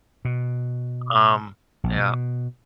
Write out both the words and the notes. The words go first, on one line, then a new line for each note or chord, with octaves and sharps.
um yeah,
B2
A#1
B2